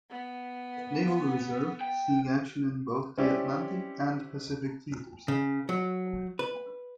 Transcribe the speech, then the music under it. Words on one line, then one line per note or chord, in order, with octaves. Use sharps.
Naval Reserve, seeing action in both the Atlantic and Pacific theaters.
B3
G5
C4 C#4 E4 G4 C#5 D5
C#3
F#3
B4